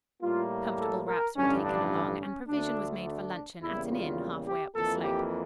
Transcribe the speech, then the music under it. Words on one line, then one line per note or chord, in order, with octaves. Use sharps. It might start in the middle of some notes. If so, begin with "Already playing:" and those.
Comfortable wraps were taken along, and provision was made for luncheon at an inn half way up the slope.
A2 G3 A#3 F4
A4
A#4
A1 G2 D3 C#4
D4
C#4
D2 D3 A3 D4
D4
E2 C#3 G3 A#3 E4
F4
G4
F2 E3 A#3 A4
G4